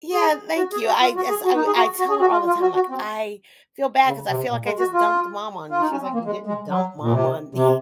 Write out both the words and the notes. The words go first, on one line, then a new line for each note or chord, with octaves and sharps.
Yeah. Thank you. I as I w I tell her all the time, like, I feel bad 'cause I feel, like, "I just dumped mom on you." She was, like, "You didn't dump mom on me."
G#4
F#4
G#4
F#4
F4
F#4
G#4
F#4
D#4
G#4
F#4
F#4
G#4
F#4
F4
F4
F#4
F#4
C4
C#3
C3
A#2
G#3
F#4
F4
F4
D#4
C#4
C4
A#3
G#3
G#3
F#3
A#2
C3
C3